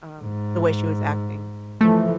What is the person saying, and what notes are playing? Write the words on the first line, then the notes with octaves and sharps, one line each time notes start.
um, the way she was acting.
G#2
E3 F3 A3